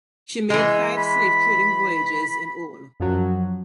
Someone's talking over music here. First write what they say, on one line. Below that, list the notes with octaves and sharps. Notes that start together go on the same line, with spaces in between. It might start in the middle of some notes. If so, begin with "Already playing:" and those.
She made five slave trading voyages in all.
E3 G#3
B5
F#2 F3 F#3